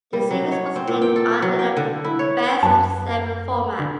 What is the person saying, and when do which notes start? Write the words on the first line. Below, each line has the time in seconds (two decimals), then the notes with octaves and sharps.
The series was played under a best-of-seven format.
0.13 G3
0.31 F#3
0.52 C#5
0.76 C4
0.87 A#2
1.02 G5
1.16 A4
1.42 F#3
1.59 G5
1.77 D3
2.04 E4
2.19 C#5
2.63 F#2 B4 A5
3.79 D3